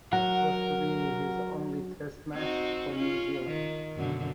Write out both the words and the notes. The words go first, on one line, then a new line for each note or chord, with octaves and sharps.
This was to be his only test match for New Zealand.
F#3 A#4 F#5
C4 D#4 F#4
C#4 F4
D#3
F#2 B2 D3